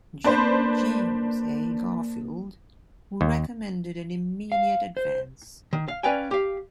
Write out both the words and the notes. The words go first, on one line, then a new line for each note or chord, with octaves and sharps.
General James A. Garfield, who recommended an immediate advance.
A#3 D4 B4 C5
D#2
F5
C5
D#3
F5
C#4 B4 D5 F5 G5 G#5
G4 F5